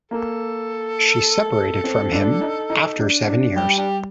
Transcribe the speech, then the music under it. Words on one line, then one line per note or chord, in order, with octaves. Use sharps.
She separated from him after seven years.
A#3 A4
C4
D4
D#4
D#4
D4
D4
G3 G4
D4 G4